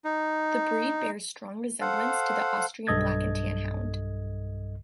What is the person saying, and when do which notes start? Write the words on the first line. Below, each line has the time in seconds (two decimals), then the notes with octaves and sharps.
The breed bears strong resemblance to the Austrian Black and Tan Hound.
0.05 D#4
1.81 A4 C5 F5 F#5
2.87 B1 G2 A4 D#5 G#6 A6